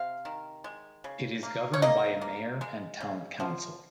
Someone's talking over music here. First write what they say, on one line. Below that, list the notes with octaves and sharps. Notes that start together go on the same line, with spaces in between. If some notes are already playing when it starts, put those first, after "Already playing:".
It is governed by a mayor and town council.
Already playing: C3 F5
D#3
G#3
C#3
A#3
C#5
A#3 D#5
A#3
G#3
C#3
F3